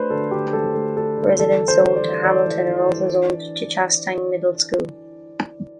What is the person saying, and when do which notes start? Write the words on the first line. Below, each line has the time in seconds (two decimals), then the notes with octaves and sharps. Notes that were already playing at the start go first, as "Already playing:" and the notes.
Residents zoned to Hamilton are also zoned to Chastang Middle School.
Already playing: A3 D4 B4 C5
0.10 D3 A4
0.31 D3 G4
0.53 A3 A4
0.75 A3
0.96 D4 A4
1.18 D3
1.39 E3 A4
1.61 D4
1.68 C5
1.82 G3
1.96 D5
2.03 E3
2.24 E3 D5
2.46 E3
2.67 E3
2.89 E3
3.10 D4
3.31 D4